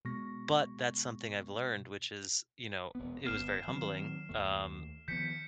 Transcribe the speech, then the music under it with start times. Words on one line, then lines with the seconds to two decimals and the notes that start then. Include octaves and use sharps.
But that's something I've learned, which is, you know, it was very humbling, um,
0.05 B2 G#3 B3 C#6 A#6
2.95 E1 B3
3.25 G1 B3 F6 C7 E7
3.67 D#3 F#3 C4
4.29 D#2 A3
5.08 D#3 F3 B3 G6 B6 C#7